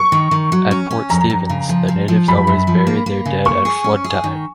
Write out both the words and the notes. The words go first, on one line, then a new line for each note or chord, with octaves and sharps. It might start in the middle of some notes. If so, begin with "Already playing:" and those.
At Port Stephens, the natives always buried their dead at flood tide.
Already playing: C#6
D#3
D#3
F#3
C#4
C#4
F2 A#5
F2
C#3
F3
F3
F3
F#2 B5
F#2
F3
A#3
A#3
C#3
A#3 C#6
G#4
C#4
G#4
D#3